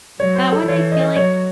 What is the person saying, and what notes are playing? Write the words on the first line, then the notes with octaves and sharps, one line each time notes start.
that one I feel like,
F#3 C#5
C5
A4
E3 C#5
D#5
F#3 C#5